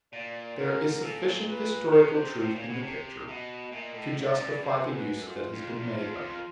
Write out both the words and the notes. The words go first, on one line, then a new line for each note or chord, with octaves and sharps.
There is sufficient historical truth in the picture to justify the use that has been made of it.
A#2 D5
G#2 A#4
A#2 A4
B4
C3 C5
B4
C5
A2 C5
A#2
C#5
B2
C3
B2 D#5 E5
A#2 E5
D#5
A2
G#2 D5 D#5
G2
F#2 C5
B4
A4
F4
F2
E2
F2
E2
F2